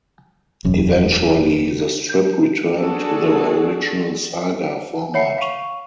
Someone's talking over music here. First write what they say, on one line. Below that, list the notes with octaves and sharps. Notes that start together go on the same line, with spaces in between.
Eventually, the strip returned to the original saga format.
E1 F#2
D4 F#4 G#4 A4
C#5 E5 F#5 B5 C7 C#7
F5 C#6